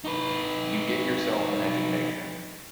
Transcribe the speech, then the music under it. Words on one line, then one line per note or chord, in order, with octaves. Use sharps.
You get yourself an education.
D#4 B4